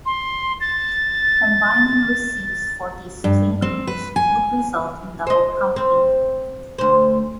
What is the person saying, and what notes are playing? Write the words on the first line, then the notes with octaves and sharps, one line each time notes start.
Combining receipts for these three groups would result in double-counting.
C6
A6
G2
C4
B4
G#5
C5 D#5
C4
D2 C5